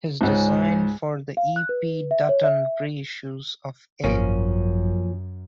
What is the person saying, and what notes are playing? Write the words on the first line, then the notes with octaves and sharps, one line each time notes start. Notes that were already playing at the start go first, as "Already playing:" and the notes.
His design for the E. P. Dutton re-issues of A.
C#2 G#2
F5
F#6
B4
E5
C#5
E5
G#1 F#2 F3 A#3 C#4